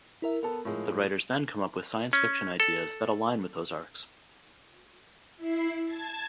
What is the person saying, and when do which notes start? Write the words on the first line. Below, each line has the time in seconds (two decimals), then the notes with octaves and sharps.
The writers then come up with science fiction ideas that align with those arcs.
0.22 E4 A#4 E5
0.43 B3 A4 A#4
0.65 A2 F3 G#3
2.13 C#4
2.60 A4
5.37 E4 C7
5.85 A5 G#6